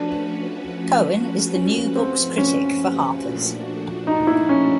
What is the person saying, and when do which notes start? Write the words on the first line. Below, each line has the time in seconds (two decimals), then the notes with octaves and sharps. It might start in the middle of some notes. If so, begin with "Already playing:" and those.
Cohen is the New Books critic for "Harper's".
Already playing: F3 A3 C#4 D4 F#4 B4
1.54 C#4
1.96 C4
2.38 C#4
3.22 A#2 F3 A3 D4 F#4
4.07 D#4
4.27 E4
4.49 C#4